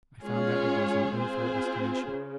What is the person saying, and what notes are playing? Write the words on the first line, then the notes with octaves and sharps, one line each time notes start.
I found that it was an unfair estimation.
G#3 C#4 F4 G#4 C#5
C4 F4 G#4 C5
C#3